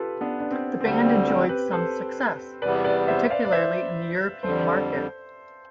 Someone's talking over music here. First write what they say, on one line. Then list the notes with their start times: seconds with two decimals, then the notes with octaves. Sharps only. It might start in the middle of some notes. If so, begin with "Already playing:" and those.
The band enjoyed some success, particularly in the European market.
Already playing: F4 G4 A4 B4
0.21 B3 D4
0.40 D4
0.51 C4
0.81 D2 D3 G3 C4
1.04 C4
1.27 C4
1.49 G4 B4
1.72 A4 C5
2.62 E2 C3 G3 B3 B4 D5
2.84 B4 D5
3.08 C5 E5
3.30 D5 F5
3.45 D5
3.52 C5 E5
4.43 F2 D3 G3 A4 C5